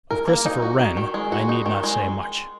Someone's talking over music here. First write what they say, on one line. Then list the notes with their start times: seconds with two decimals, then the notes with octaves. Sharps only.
Of Christopher Wren I need not say much.
0.11 A#4
0.28 A#3
0.46 D#4
0.62 F#4
0.79 D#4
0.97 D#3
1.14 G#3
1.32 F#4
1.49 D#4
1.66 D#3
1.84 G#3